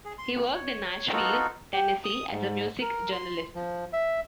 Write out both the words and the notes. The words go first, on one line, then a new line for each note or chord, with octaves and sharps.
He worked in Nashville, Tennessee, as a music journalist.
G#4
C6
D#3
C#5
B3 D#4 F4 F#4 A4 A#4
G4
D#6
G#2
A#4
C6
F3
E5